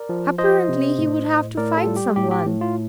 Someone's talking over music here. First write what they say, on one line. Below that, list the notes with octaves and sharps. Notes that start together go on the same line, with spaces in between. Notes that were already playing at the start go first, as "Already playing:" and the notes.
Apparently, he would have to fight someone.
Already playing: A#4 D5
F3
F3 C5 D#5
C3
A2
A2
A2 A#4 D5
F4 A4
G3
G4
A2 G4
G4
A2
F4